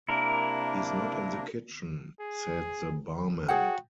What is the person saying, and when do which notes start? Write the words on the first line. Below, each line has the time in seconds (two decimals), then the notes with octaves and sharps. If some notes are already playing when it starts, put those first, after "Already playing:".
"He's not in the kitchen," said the barman.
0.09 C3 A#3 D4 E4 A#4
2.20 G#4
3.48 F#4 G#4 C#5 F#5 G5